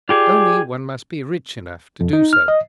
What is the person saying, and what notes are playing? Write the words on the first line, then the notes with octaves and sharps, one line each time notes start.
Only, one must be rich enough to do so.
F4 G4 G#4 D5
F2
D#4
F6
D#5